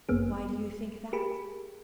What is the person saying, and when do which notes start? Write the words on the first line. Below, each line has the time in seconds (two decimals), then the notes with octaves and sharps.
"Why do you think that?"
0.09 G1 F#2 A#3 B3 G#4
1.13 G4 G#4 A#4 B5